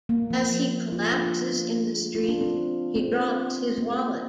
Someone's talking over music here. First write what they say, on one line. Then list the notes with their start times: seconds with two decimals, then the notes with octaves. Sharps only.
As he collapses in the street, he drops his wallet.
0.09 A#3
0.31 F3
0.92 F4
1.12 D4
2.15 F4
2.29 D4
2.41 C4
2.96 C4
3.78 A#3